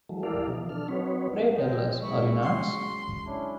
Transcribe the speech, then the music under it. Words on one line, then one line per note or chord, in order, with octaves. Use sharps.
Pray tell us, are you nuts?
E3 F#3 G#3 A3
E4 G4 A4 A#4 D5 F5
B2 E3 F3 D#4
D4 A4 F6
F#3 C4 D#4 B4 C#5
G#3 D#5 G5
F#3 G#3 E4 C#6
C#4 C6
C#4 D4 E4